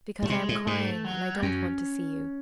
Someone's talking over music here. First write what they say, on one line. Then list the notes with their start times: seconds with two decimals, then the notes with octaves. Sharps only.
"Because I am crying, and I don't want to see you."
0.23 A2
0.25 A3
0.29 C3 G#3
0.49 A2
0.67 G#2 A3
1.04 F#3
1.42 F#2 C#4